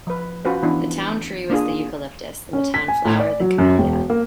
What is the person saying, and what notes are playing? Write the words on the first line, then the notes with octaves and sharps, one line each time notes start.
The town tree was the eucalyptus, and the town flower the camellia.
F3 B4
C#4 F4 F#4 B4 C5
E3 B3 D4 E4
A#3 D4 F4 G#4
C#4
B6
G#5
A2
D5
F#3
F#2
E1
A#3